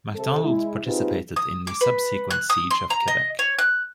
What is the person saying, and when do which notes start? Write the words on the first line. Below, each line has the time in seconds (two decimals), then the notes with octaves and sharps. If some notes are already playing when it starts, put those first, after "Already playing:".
MacDonald participated in the subsequent siege of Quebec.
0.15 C3 A4
0.44 G#3 E4
0.85 C4 D#4 F4 G4 G#4 B4
1.36 D#6
1.67 D6
1.81 B4
2.31 F#6
2.50 D#6
2.71 C6
2.90 A#5
3.08 D#5
3.39 C#5
3.59 F#6